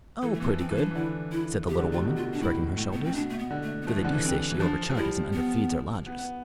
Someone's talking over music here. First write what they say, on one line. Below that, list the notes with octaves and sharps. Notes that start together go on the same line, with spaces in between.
"Oh, pretty good," said the little woman, shrugging her shoulders, "though they do say she overcharges and underfeeds her lodgers."
E3 A4
A3
E3 B3
F3
C4
E3
D4
E3
D3 E4
E4
C3 G4
D3
C3 F4
A2
B2
F4
D4
A2 E4
A2
B3
C4
B2 D4
A3
B3
D3
A3
B3
F3 A3
E3
D3
E3
C4
E3
F3 D4
F3
G3 E4
B3
B3
B3